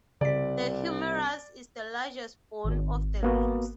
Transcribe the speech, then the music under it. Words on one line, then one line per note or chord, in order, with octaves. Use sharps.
The humerus is the largest bone of the limbs.
C2 C#3 D5 B6
G#1
A#3 B3 F#4